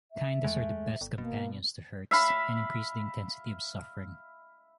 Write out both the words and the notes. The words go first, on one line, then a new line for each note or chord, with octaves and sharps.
Kindnesses are the best companions to hurts, and increase the intensity of suffering.
E5
E2 G#3 A3
G1
B2 A#3
E5 F5 B5